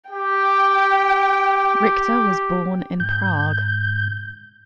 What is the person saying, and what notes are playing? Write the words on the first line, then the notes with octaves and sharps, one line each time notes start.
Richta was born in Prague.
G4 G5
G#2 G6